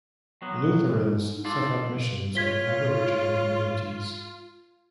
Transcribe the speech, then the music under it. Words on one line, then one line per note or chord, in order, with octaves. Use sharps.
Lutherans set up missions in Aboriginal communities.
F#3 B3
C#2 G#2 D#4
F4 A4 D5
F4 C#5 G#6 B6 G7